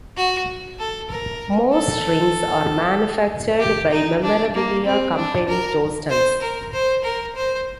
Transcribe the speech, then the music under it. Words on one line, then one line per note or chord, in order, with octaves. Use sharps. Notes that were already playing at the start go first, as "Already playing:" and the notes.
Most rings are manufactured by memorabilia company Jostens.
F#4
A4
A#4
A4
G4
D#4
D4
A#3
C4
D4
A#4
C5
A#4
C5
A#4
C5